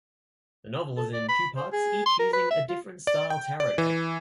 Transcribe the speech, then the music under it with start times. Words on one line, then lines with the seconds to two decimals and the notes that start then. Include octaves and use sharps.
The novel is in two parts, each using a different style Tarot deck.
0.97 A4
1.13 D5
1.29 B5
1.56 C5
1.72 G#4
2.06 C6
2.19 A#4
2.33 B4
2.50 E5
2.69 F4
3.07 D5
3.30 G5
3.60 D5
3.78 E3